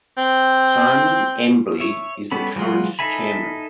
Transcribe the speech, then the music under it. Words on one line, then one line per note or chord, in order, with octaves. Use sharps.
Simon Embley is the current Chairman.
C4
C#5 E5
G3 B3 C#4 A4 B5
E3 F#3 G#3 F4 F#5
D#4 A4 E5 G#5 B5